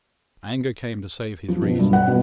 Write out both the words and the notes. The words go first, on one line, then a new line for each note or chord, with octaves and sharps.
Anger came to save his reason.
F3
B2
G2
F#5
B2